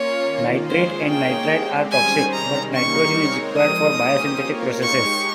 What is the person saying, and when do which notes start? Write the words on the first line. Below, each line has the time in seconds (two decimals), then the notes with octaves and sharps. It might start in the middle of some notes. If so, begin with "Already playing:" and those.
Nitrate and nitrite are toxic, but nitrogen is required for biosynthetic processes.
Already playing: A#3 C#4 F4 C#5
0.24 D#3 A#3 F4
0.67 G#3 C#4 F4 G#4 C5
1.08 A#3 D#4 G#4 C#5 G5
1.49 G#3 C4 G4
1.91 D#3 G3 C#4 G#4 C5 G#5
2.32 C3 D#3 G3 C#4 A#5
2.74 G3 A#3 D#4 A#4 C#6
3.16 G#3 C4 D#4 A#4 C#5
3.57 F3 G#3 D#4 D#6
3.99 A#3 C#4 G4 C5
4.39 A#3 F4 A#4 C#5
4.81 G#3 D#4 G4 C#6